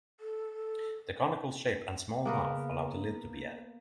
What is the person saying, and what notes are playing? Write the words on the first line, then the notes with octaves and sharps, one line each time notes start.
The conical shape and small mouth allowed the lid to be added.
A4
C#3 A#3 B3 A#4